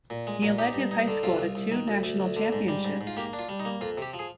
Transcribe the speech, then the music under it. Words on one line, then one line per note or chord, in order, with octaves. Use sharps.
He led his high school to two National Championships.
A#2
G#3
A#2
D#4 G4
G2
D#4
D3
C3 F4
C2
C2
D#3
D2
D2
D2
D3
G#2
G3
G#2
G#2
F4
A#3 G4
D4
F4
G3
D#4
A#3
F2 F4
C3 G4
F3
G#4